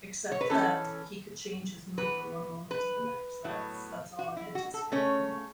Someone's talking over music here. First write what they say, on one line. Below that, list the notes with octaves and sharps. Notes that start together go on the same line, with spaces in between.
except that he could change his mood from one moment to the next, that's that's all I anticipate from him.
C#5
B4
E3 C#4 A4
E3 B3 B4
B4
A2 F#3 B3
F#4
E4
F#4
A4
C#3 A3 C#4 C#5